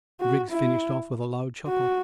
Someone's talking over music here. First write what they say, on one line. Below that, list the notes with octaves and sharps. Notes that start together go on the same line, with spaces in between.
Griggs finished off with a loud chuckle.
F#4
E4
F#4